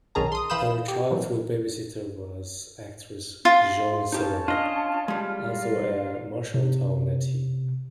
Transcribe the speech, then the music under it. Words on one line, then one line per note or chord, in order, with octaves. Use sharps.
Her childhood babysitter was actress Jean Seberg, also a Marshalltown native.
B1 D#3 C#4 G#4 A5 A#5
C6 D#6
E3 F5 B5 D#6 G6 E7
G4
A#2 E3 F#3
F4
C#4 D#4 G4 F5 A5
D4 F4 D#5
G3 G#3
A#4 D5 F5
C3